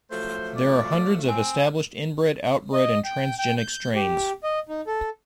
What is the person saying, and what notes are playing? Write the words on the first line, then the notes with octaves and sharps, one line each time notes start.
There are hundreds of established inbred, outbred, and transgenic strains.
F3 F#3 A3 C5
D5
C4 G#5
D#5
G5
G5
G6
G4
D#5
D#4
A4